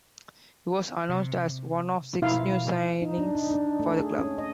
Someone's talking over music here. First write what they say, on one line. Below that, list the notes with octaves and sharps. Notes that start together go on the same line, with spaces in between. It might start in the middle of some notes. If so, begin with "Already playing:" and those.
He was announced as one of six new signings for the club.
C3
B2 F3 E4 F5
D#4
D4
D#4
D4
A3
G#4
C#4
D#5